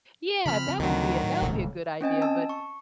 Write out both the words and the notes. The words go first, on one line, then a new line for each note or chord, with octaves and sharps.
Yeah, that would be that would be a good idea, but
C#3 F3 C4 B5 F6
D2 D#3 F#3
A2
D#1 C#2
C4 C#4 D#5 G#5
A5 E6
C#6